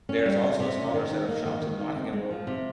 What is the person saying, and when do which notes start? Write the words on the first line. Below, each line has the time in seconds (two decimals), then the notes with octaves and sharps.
There is also a smaller set of shops on Nottingham Road.
0.09 C#4
0.26 G3
0.43 C3
0.60 C3
0.77 C#4
0.94 D#3
1.11 D#4
1.29 A#3
1.45 D#3
1.62 D#3
1.79 D#4
1.96 C4
2.13 G#3
2.31 F3
2.47 C3